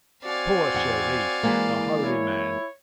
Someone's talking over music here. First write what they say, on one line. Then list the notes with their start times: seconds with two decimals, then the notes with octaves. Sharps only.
Poor Shereef!—the holy man!
0.24 C4 F#4 D5 F5 G#5
0.74 E2 F#5
1.43 E3 G#3 A#3
2.04 E4 C#5